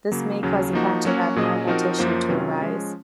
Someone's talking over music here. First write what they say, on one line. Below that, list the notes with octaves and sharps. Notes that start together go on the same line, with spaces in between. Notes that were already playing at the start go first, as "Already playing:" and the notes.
This may cause a patch of abnormal tissue to arise.
C#3 F#3 A#3
D#2 C#3 F#3 C#4
F3 A#3 D#4 F#4
F#3 A#3 C#4 F#4
A#2 F#3 C#4 G#4 D#5
F3 C4 D#4 F#4 A#4
F#2 F3 A#3 F4 C5
C3 D#3 F#3 C#4 F4
F3 G#3 C#4